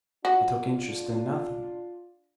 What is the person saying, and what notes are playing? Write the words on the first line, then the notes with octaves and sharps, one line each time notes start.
I took interest in nothing.
D4 F4 F#4